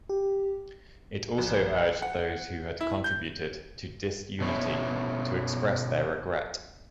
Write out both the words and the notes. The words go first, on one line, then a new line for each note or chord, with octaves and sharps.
It also urged those who had contributed to disunity to express their regret.
G4
A#1
F#5
E4
G6
B2 C#4 E4